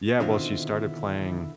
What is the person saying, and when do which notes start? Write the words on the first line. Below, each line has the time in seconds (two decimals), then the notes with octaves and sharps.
Yeah, well, she started playing
0.20 B2 D3 D#3 C4 E4 F4